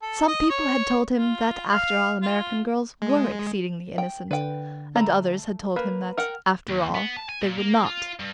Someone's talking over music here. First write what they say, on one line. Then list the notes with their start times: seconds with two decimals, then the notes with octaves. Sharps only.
Some people had told him that, after all, American girls were exceedingly innocent; and others had told him that, after all, they were not.
0.02 A4
0.28 D#5
0.50 C#5
1.14 F4
1.72 F5
2.22 F4
3.02 G#3
3.98 G5
4.31 D3 B4 G5
4.96 A3 A#5 B5
5.76 A#3 B4
6.18 A#4 F#5 G5 F6
6.69 D#2
6.95 B3
7.17 A5
7.29 G#5
7.42 A#2
7.58 A#3
7.86 F4
8.20 G2